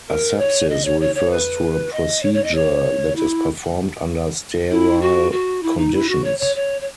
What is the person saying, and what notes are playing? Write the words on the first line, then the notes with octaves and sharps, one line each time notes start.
Asepsis refers to a procedure that is performed under sterile conditions.
A#4
C#5
D#5
C#5
C#5
C#5
B4
D#5
C#5
C#5
D#5
C#5
E4
E4
F#4
F#4
E4
D#4
E4
F#4
C#5
C#5
C#5
C#5